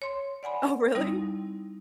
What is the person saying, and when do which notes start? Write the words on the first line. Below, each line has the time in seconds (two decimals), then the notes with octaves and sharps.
Oh, really?
0.02 C#5 C6
0.43 D5 F#5 G#5 B5
0.95 G3 C4 D#4 E4